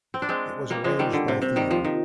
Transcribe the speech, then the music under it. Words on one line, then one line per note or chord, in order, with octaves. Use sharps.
It was arranged by theme.
C4
D4
G#3 C4
G3 A#3
F3 G#3
D#3 G3
D3
C3
C3
D#3 G3
F3
D#3